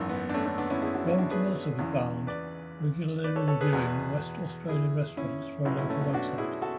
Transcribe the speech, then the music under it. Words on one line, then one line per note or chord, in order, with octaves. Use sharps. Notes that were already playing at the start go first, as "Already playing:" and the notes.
Braun can also be found regularly reviewing West Australian restaurants for a local website.
Already playing: G#1 F#2 E3
B3
D4
A3 C#4
A3 C#4
B3 D4
C#4 E4
E4 G#4
D4 F#4
C#4 E4
D4 F#4
G#4 B4
E2 C#3 E3
B4 D5
B4 D5
A4 C#5
A4 C#5
G#4 B4
E2 B2
E4 G#4
C#4 E4
B1 B2 C#4 E4
C#4 E4
A3 C#4
B3
D4 F#4
E4 G#4
F#4 A4